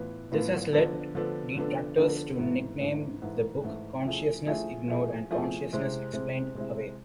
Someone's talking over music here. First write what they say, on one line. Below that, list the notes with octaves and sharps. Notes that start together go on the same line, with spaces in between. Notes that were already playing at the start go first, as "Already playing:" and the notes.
This has led detractors to nickname the book "Consciousness Ignored" and "Consciousness Explained Away".
Already playing: A2 E3 B3 F4 B4
A2 E3 B3 F4 B4
D3 F3 B3 D4 A4
D3 F3 B3 D4 A4
D3 F3 B3 D4 A4
D3 F3 B3 D4 A4
G#2 E3 A3
G#2 E3 A3
G#2 E3 A3
G#2 E3 A3
F3 A3 E4 G#4
F3 A3 E4 G#4
F3 A3 E4 G#4
F3 A3 E4 G#4
C3 G#3 C4 E4
C3 G#3 C4 E4
C3 G#3 C4 E4